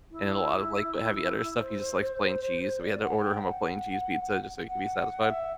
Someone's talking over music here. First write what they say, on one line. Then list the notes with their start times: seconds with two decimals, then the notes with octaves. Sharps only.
and a lot of like heavy other stuff, he just likes plain cheese, so we had to order him a plain cheese pizza just so he could be satisfied.
0.11 E4
1.56 C5
2.81 D5
3.02 F#5
3.22 G5
3.43 F#5
4.68 F#5
5.30 E5